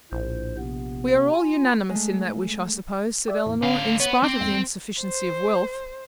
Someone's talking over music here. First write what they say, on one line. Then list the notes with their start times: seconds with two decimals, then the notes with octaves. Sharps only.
"We are all unanimous in that wish, I suppose," said Elinor, "in spite of the insufficiency of wealth."
0.12 A#1 A2 C5
0.58 C3 B3
1.33 F4 G#5
1.90 G#3 A3
3.28 G4 D5 E5
3.46 E2 A2
3.63 D3 C#4 F5
4.00 B3 C#5 B5
4.23 C4 D6
4.40 E2 G#2 A3
5.00 C5